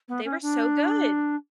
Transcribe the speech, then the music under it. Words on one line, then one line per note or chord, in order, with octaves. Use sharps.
They were so good.
B3
C#4
D4